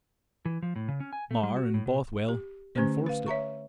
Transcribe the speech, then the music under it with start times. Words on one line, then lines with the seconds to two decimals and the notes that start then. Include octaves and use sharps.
Mar and Bothwell enforced it.
0.45 E3
0.62 F3
0.76 A2
0.88 C#3
1.00 C#4
1.13 G#5
1.31 A3
1.43 G3
1.57 F#4
1.74 A2
1.86 B2
2.29 G4
2.75 D3 A3 C#4 G4 C5
3.06 B4 F5
3.26 C#5 E5 A#5 C#6